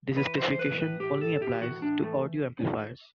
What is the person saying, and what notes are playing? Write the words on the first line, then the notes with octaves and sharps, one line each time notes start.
This specification only applies to audio amplifiers.
E3 B4
E3 C5
C5
E3 B4
A2 B4
A2 G4
A2 A4
A2 G4
E3 F#4
A2 D4
E3 A3